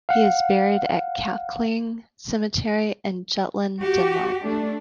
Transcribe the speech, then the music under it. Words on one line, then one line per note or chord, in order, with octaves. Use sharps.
He is buried at Klakring Cemetery in Jutland, Denmark.
F5 F#5
F#4 G4
A3 D4